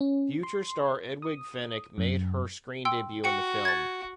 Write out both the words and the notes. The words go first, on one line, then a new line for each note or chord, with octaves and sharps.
Future star Edwige Fenech made her screen debut in the film.
C#4
C6
D#6
F#2
G5 C6 E6
F#4 G5 C#7
G#6 A6